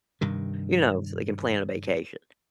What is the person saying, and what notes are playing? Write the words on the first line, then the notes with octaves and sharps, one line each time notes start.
you know, so they can plan a vacation,
G2 C3 D#3